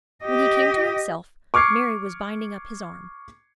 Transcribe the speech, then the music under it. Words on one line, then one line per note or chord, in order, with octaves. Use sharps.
When he came to himself, Mary was binding up his arm.
G4 D#5
C#6 D6 F6 G#6 C7 C#7